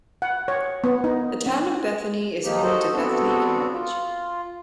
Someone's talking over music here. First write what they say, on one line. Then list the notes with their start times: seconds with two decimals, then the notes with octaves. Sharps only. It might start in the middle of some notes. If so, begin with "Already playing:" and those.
The town of Bethany is home to Bethany College.
0.22 F#5
0.48 C#5
0.84 B3
1.04 D#4
1.46 C#4
2.44 D#3 F3 A#3 D#4 G4
2.63 F#4 A4 C5 D#5
2.93 B3 C4 D4 F#4 A4
3.72 F4